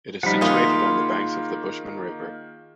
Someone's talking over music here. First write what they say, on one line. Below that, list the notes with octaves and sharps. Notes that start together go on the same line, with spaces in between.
It is situated on the banks of the Bushman River.
F3 G3 D#4 F#5 B5
D#3 A#3 F4 G#4